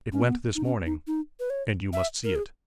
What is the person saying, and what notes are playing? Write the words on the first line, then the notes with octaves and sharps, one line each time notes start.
It went this morning, and you must see it.'
C#4
B3
D#4
C#4
D#4
D#4
B4
C#5
E5
A#4
G#4